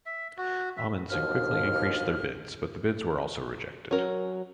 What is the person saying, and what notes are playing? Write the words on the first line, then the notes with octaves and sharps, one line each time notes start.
Ahmanson quickly increased their bids but the bids were also rejected.
E5
F#4
E5
D#2 B2 F3 D4 F6
F#3 C#4 A#4